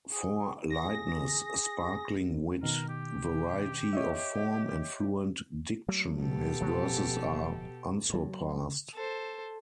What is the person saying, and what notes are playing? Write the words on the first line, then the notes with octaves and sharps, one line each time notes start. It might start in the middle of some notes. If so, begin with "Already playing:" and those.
For lightness, sparkling wit, variety of form and fluent diction, his verses are unsurpassed.
G#4
G#4 A#6
B2 D#3 A#4
G4
C#5 D#5 E5
F#3 A3 A#3
B2 G4 A4
D1 F3 G#3
G2 F#3
A4 C5